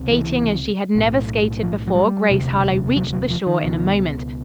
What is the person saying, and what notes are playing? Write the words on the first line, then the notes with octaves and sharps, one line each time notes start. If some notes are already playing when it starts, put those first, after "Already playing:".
Skating as she had never skated before, Grace Harlowe reached the shore in a moment.
Already playing: C#2 C3
E3
B1 A2
F3
F#3
G3
E1 D2 C3
F#3
F#3
F3
D#3
C#2 B2